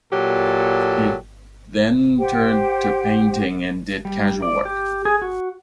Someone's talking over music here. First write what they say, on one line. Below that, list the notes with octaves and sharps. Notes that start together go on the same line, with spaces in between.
He then turned to painting and did casual work.
A#2 F#3 G4 A4
G4 C5 F#5 G5
G3
D5
G4
G#4
F#4